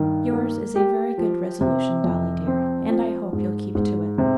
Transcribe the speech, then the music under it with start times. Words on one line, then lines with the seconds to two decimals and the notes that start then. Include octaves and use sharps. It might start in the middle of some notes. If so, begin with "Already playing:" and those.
"Yours is a very good resolution, Dolly dear, and I hope you'll keep to it."
Already playing: G2 D#3
0.33 A#3
0.75 G4
1.18 F3
1.61 C3
2.04 F2
2.47 C4
2.89 F3
3.33 G#2
3.75 G#2
4.18 C3